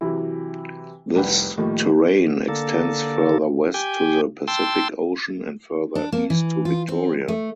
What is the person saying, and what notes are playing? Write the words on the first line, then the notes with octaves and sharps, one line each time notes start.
This terrane extends further west to the Pacific Ocean and further east to Victoria.
C3 E3 F#3 E4
F1 C2 B4 G5
A2 D#3 F3 G3 A#3
D3 A#3 A4
G4 G5 G#5
G5 A5 C6 E6
D4
A#3
E3
F4
C4
A3